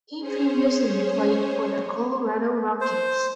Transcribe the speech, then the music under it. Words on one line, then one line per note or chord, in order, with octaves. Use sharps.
He previously played for the Colorado Rockies.
C#4 G#4 C5 C#5
C5